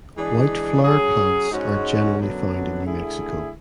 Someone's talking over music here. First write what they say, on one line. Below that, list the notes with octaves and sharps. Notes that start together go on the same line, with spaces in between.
White flowered plants are generally found in New Mexico.
E3 G#3 D4 G#4
F#3 C#4 G#4
G#2 G#3 C#4 F#4
F#2 D3 F#3 B3 D4
D3 A3 E4 G#4